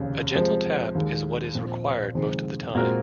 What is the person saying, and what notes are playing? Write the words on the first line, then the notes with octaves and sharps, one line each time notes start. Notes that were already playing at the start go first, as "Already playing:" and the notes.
A gentle tap is what is required most of the time.
Already playing: F1 D#2 C#3
C3 F3 G#3
D#2 D#3 G#3
A#1 A#2 F3 C4
F1 F2 D#3 G#3
A#2 G#3 C4 F#4 A#4